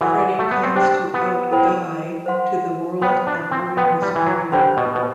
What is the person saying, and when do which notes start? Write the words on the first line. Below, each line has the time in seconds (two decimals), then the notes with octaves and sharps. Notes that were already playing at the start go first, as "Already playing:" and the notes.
Freddie plans to out Guy to the world and ruin his career.
0.01 E3 F#4 A4 D5 F#5
0.39 A3
0.51 B3
0.63 C4
0.75 D4 G4 C5 G5
1.14 B3
1.51 E4 A4 C5 G5 B5
2.26 C5 F#5 C6
3.02 B3 C5 G5 B5
3.27 D4
3.51 C4
3.77 B3 B4 D5 G5 C6
4.02 G3
4.16 E3
4.27 F#3
4.52 D3 D4 G4 C5 G5 B5
4.77 B2
4.95 B2